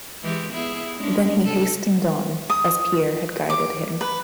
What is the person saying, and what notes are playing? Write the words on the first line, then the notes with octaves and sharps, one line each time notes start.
Then he hastened on, as Pierre had guided him.
E3 G#3 G4
B3 E4 G#4
G#3 C#4 D4
C3 A4
D#6
D6
B4